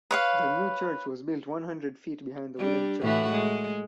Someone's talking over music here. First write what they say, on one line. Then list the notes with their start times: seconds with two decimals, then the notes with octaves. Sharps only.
The new church was built one hundred feet behind the wooden church.
0.11 B4 C#5 F5
2.58 G3 D4
3.02 A2 E3 F#4
3.31 G#3